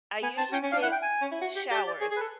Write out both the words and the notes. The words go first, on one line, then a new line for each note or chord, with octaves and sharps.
I usually take s showers
B3 G#5
C4 A5
C#4 G5
C#4
D4 F5
E4 F#5
G5
G#5
C#4
E4
F#4
G4
G4 D5
D5
G#4 C#5
G#4
B4
A4